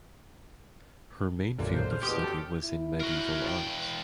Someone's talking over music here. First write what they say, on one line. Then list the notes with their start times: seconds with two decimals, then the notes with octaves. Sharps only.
Her main field of study was in medieval art.
1.58 B1 F#2 A#2 D3 A#3
1.74 C5
1.91 C#3 F6
2.03 E2 B2 G4 C6 D#6 D7
2.22 F#2 A4
2.63 E4
3.00 F#4 A#4
3.45 E2 G5